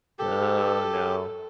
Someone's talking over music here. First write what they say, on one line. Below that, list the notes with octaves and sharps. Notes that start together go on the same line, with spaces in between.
Oh no.
G4 A4